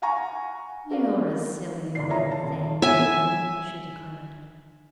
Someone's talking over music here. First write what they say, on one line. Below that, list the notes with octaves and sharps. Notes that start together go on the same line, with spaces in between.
"You're a silly old thing, you know," she declared.
F5 F#5 G#5 A#5 C#6
F#4 A4 A#4 D5 F5
G1 A#2 D#3 E3 D5 C7
F4 G#4 C#5 E5 A#5
A5
D#1
E5 G#5